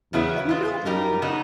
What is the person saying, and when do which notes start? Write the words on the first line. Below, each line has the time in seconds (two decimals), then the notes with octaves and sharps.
"Let me do it, you know?"
0.13 E2 C#3 F#3 B3 E4
0.49 E3 G#3 C4 F4
0.85 F#2 G3 A#3 D#4 G4 A#4
1.22 C#3 F#3 B3 D#4